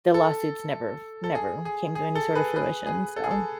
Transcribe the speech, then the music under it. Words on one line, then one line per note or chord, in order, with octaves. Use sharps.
the lawsuits never f never came to any sort of fruition. So
A4
A4
G#4
G#4
G#4
A4
G#4 B4
G#4 B4
G#4
A4
G#4
A4